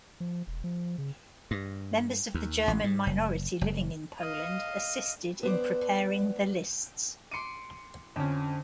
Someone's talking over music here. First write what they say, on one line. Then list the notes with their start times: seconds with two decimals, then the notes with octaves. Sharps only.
Members of the German minority living in Poland assisted in preparing the lists.
0.20 F3
0.47 E1
0.64 F3
0.98 C#3
1.51 G2
2.35 D#2
2.68 A1
2.84 G#2
3.07 F#1
3.61 F#1
4.20 D#5 F5
5.43 B3 C5 D5
7.31 C6 D6 C#7 D#7
8.16 F2 D3 C4 C#4